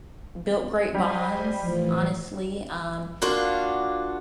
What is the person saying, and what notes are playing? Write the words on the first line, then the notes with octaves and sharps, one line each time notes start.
built great bonds, honestly, um,
G3 C5 D#5 G#5
A2 E3 F3
A#3 D4 F4 F#4